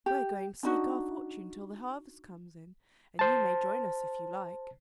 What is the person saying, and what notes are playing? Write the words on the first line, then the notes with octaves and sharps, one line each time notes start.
"We're going to seek our fortune till the harvest comes in, and you may join us if you like."
G4
D4 D#4 F#4
C5 A5